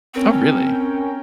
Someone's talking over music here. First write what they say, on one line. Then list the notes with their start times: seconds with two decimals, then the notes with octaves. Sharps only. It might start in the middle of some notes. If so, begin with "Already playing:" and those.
Oh, really?
0.14 C4 C#4 A#4 G5